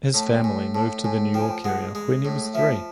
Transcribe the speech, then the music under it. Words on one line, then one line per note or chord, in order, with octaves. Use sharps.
His family moved to the New York area when he was three.
A2 A5
G5
A2 G#5
A2 A5
A2 G#5
F3 G5
G#5
G5
G#3 F#5
G#3
A2
F3 E5